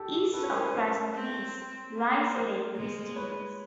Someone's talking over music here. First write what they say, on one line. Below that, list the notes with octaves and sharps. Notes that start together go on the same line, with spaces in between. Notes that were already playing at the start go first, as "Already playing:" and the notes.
East of Krasnolesye lies Lake Vistytis.
Already playing: G4 A4
C#4 A4 B4
B4 C#5
A#4 C5
B4 C#5
A#4 C5
C4
A#3
A#4 C5
G#3
B4 C#5